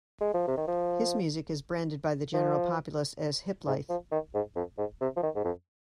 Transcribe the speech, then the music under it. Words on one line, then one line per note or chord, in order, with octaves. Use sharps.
His music is branded by the general populace as hiplife.
G#3
F3
C3
D#3
F3
F3
G#2
F3
D#3
G#2
F2
G#2
C3
F3
D#3
G#2
F2